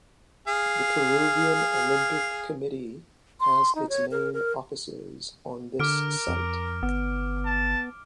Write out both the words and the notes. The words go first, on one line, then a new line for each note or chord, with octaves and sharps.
The Peruvian Olympic Committee has its main offices on this site.
G#4 F5
C6
D#4
C#5
A#4
A#4
D3 A#4 D6 F6 D7
F2
G1 B3
A5